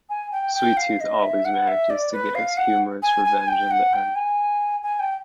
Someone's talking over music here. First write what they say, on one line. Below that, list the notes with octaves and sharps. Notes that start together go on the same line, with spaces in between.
Sweet Tooth always manages to get his humorous revenge in the end.
G#5
G5
G5
F5
D#5
E5
F#5
E5
D5
B4
F5
F#5
G#5
G#5
G5
F#5
G5
G#5
G#5
G5